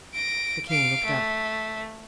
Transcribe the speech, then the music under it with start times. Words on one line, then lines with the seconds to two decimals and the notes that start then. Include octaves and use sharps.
The king looked up.
0.14 A#6 D7
0.68 F5 D7
1.05 A3